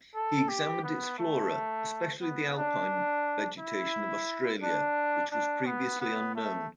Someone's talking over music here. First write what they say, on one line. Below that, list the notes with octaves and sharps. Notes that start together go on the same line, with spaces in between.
He examined its flora, especially the Alpine vegetation of Australia, which was previously unknown.
A4
G4
B3
A3
B3
D4
E4
D4
D4
B3
B3
A3